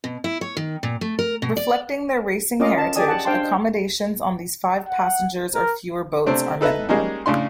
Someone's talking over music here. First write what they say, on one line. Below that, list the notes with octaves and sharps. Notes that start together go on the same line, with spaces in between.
Reflecting their racing heritage, accommodations on these five-passengers-or-fewer boats are minimal.
B2
E4
C#5
D#3
A#2
A3
A#4
B2
D5
C#4 F4 A#4 D#5 F5 D6
A5
G4 G#4 D5 G#5 D#6
F#5 A5
D4 C5 F5 G5 A5 C6
D#5
F#5
A#4
C3 A3 C4 D4
D#4 A4 B4 D#5 E5
G3 G#3 A#3 C#4 D#4
A2 C#3 D4 C6